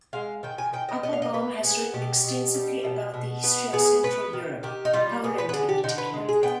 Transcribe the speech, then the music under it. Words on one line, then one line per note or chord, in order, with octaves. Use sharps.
Applebaum has written extensively about the history of central Europe, Poland in particular.
G#3 F5
D#3 G5
G#5
D#3 G5
D#5
B3 D#5
F5
D#5
B3 B4
B3 G#4
B2 G4
B2
G3
B2
B2
B3 B4
B3 G#4
B3 B4
D#3
D#3 G4
D#4
G3 F4
B3 G#4
B4
B4
D3 G#4
G4
D3 D#4
B4
G#3
G#4
B3 G5